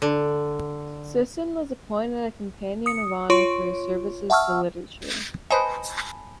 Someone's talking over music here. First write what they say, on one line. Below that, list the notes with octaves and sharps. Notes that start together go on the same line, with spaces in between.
Sisson was appointed a Companion of Honour for his services to Literature.
D3
D#6 C#7
F4 C#5 C6 C#6 D7
E5 F#5 A5 C#6 E6 F6
B4 C5 D#5 G#5 A5 B5